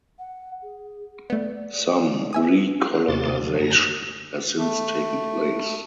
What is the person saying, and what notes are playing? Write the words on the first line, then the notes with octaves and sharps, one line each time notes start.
Some recolonisation has since taken place.
F#5
G#4
A3 B3 D5
B4 E5 G#5 D#6
F5 F#6
D#2 C3 A#3 C6 D6 A6
D3 F#3
F#2 D3 G#5 A#5 A#6
A3